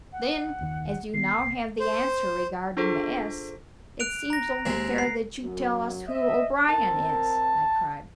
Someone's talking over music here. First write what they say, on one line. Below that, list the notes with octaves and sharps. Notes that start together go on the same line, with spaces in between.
"Then, as you now have the answer regarding the 'S,' it seems only fair that you tell us who O'Brien is," I cried.
F#5
F#1 D#2 D#3
D#3 B3 C7
C2
C5
D4 F4 G#4 A4 C5
F#6 D7 F7
A#5 A#6
D#2 G#3 C4
C7
F#2 F#3
D#5 E5
C4 A#4 A5